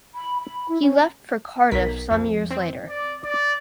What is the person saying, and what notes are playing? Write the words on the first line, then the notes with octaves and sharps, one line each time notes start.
He left for Cardiff some years later.
B5
B5
E4
C#4
B1 A#4 B6
F2
C4
D5
D5